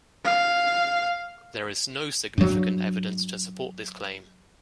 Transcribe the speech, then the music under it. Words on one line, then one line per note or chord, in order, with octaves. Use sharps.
There is no significant evidence to support this claim.
F5
G2 F#3